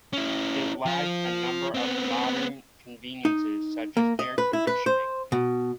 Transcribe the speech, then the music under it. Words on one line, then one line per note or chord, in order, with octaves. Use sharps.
It lacked a number of modern conveniences, such as air conditioning.
C#4 E4
F3 F4
B3 C4
D#4
A#3
D#5
B4
E4
B4
C5
B2